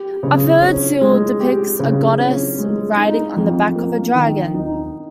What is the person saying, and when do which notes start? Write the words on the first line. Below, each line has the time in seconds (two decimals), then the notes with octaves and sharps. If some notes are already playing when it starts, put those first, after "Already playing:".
A third seal depicts a goddess riding on the back of a dragon.
Already playing: G4
0.23 C#3
0.62 C#4
1.01 G#3
1.40 G4
1.80 C#3
2.19 C#4
2.59 G#3
2.97 D#4
3.36 F2
3.76 A#3
4.15 D#3
4.54 D#4